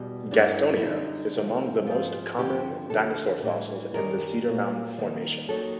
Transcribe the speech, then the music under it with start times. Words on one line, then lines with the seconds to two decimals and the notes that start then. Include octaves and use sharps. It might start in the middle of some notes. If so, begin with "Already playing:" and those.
"Gastonia" is among the most common dinosaur fossils in the Cedar Mountain Formation.
Already playing: E2 B2 G3
0.31 G2 E3 G3 D4
0.77 E4
0.83 F#2 D3 G3 D#4
1.35 D2 C3 F3
1.86 G#2 F3 F4
2.38 G2 D3 F3 G4
2.90 F2 D3 F3 A4
3.43 A2 E3 G3
3.94 F#2 D#3 G3 A#4
4.46 A#2 F#3
4.97 D#2 D#3 G3
5.49 D#2 D#3 F#3 A4